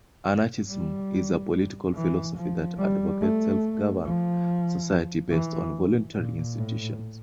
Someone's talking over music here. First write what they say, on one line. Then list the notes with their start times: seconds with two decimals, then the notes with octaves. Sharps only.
Anarchism is a political philosophy that advocates self-governed societies based on voluntary institutions.
0.69 G3
1.94 E3
2.36 F3
2.78 G3
3.21 A3
4.05 F3
5.30 E3
6.14 A#2
6.56 A2